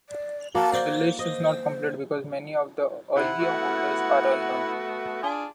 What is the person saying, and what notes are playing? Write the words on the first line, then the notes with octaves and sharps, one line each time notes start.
The list is not complete, because many of the earlier holders are unknown.
D5
A#3 F#4 D5 A5
C5 D5
C5 D#5
C3 E4 F#5
A3 B3 F#4
D4 F4 G#4